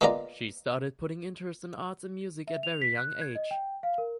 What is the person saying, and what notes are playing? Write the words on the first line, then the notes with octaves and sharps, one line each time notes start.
She started putting interests in arts and music at very young age.
G#3 A#3 B3 F4 D5 A#5
E5
F7
B6
F#6
G#6
D#5
G5
F5
A#4